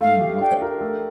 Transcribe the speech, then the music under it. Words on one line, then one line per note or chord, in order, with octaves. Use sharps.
Mm, okay.
A3 F5
G4
D4 G5
A#4
A3